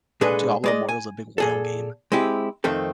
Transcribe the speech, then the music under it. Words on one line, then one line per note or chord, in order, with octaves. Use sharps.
Diablo Immortal's a big whale game
A#2 G#3 D4 G#4 A4 B4
G#3 D5 D#5
G#5
A#2 G#4 A4
G#3 C4 E4 G4
F2 D#3 A3 C4 A4